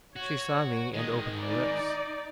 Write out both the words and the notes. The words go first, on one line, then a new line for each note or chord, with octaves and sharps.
She saw me and opened her lips.
F#4 C#5
D#3 G#3 D#5
D#4 D5